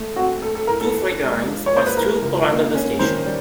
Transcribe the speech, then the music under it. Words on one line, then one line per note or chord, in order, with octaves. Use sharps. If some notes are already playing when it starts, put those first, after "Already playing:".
Two freight lines passed through or under the station.
Already playing: A3
C4 F#4
A3 A4
A4
A2 A#4
A4
E3
G#3
F3
C#5
A#3
C5
B4
E3 A#4
C#2
A#3
C#4
D#3 C5
G3